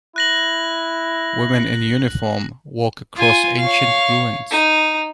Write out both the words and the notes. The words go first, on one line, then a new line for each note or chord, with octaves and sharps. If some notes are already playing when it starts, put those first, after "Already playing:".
Women in uniform walk across ancient ruins.
E4 F#6 A#6 F#7
F4 G#5
C#5 F5
D#4